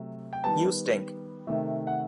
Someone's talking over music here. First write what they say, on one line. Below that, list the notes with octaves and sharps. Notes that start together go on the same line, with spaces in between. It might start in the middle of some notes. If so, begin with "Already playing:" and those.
You stink.
Already playing: C3 F#3 A3
G5
D#3 G3 B3 A5
C3 D#3 A3
F#5